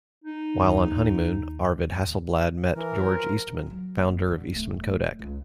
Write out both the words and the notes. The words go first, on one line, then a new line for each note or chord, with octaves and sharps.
While on honeymoon, Arvid Hasselblad met George Eastman, founder of Eastman Kodak.
D#4
D#2
E3 A#4
F3
F3 F#3
F#1
D3
D1 A3
C#2